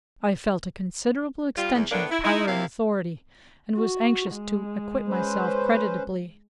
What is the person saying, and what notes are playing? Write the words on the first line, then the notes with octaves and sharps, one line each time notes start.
I felt a considerable extension of power and authority, and was anxious to acquit myself creditably.
G3 F4
E2
A2 A#3 B3 D4
E4
D#4 E4
C3 A#3 E4 F5
F#4
G#3
C#4 B4 C5